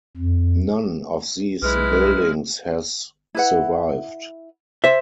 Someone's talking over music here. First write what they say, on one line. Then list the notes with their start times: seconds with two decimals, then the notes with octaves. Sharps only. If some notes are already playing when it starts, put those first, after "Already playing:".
None of these buildings has survived.
0.17 F2
1.62 B1 G#3 E4 B4 F6
3.35 E4 B4 F#5
4.84 C5 E5